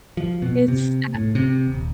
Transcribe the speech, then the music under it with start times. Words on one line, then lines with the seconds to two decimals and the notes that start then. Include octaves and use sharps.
it's I
0.17 F3
0.42 B2
0.68 C3
1.15 A2
1.35 C3
1.68 D#1